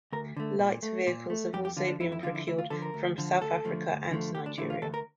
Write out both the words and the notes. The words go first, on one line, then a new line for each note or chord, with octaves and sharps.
Light vehicles have also been procured from South Africa and Nigeria.
D2 A#4
D3 A3
A#2
A3
A#2
A3
F2 G4
G4
D3 F3 F4
D4
F2 E4
E4
D3 F3 F4
E4
D2 E4
F4
D3 F3 A4
A#4
D2
D3 F3
D2 A4
D3 F3 A3
D2
D3 F3 A3
D2 G4
D4
D3 A3 E4
F4
D2 A4
A#4